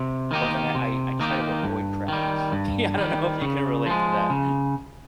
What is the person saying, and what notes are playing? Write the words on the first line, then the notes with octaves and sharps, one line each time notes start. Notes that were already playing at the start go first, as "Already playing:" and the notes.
but then I I I try to avoid crowds. Yeah, I don't know if you can relate to that.
Already playing: C3
D#3 A#3 D#4 G4
C3
D#3 A#3 D#4 G4
G2
D#3 G3
G2
D#3 G3
C#3
F3 G#3
C#3